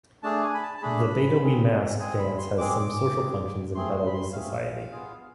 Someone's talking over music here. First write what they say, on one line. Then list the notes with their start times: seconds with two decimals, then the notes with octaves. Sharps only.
The Betawi mask dance has some social functions in Betawi society.
0.23 A3 D4 G#4 A5
0.43 G#5
0.54 B5
0.63 A5
0.78 A5
0.82 A3 D4 G#4 B5
1.41 G#3 C4 G#4
1.99 G#3 C4 G#4 G#5
2.19 B5
2.38 C6
2.58 G#3 C4 G#4 D6
2.79 D6
3.16 G#3 C4 G#4
3.75 A3 C4 G#4 C6
3.94 C6
4.06 B5
4.14 C6
4.33 A3 C4 G#4 F5
4.92 B3 F4 G#4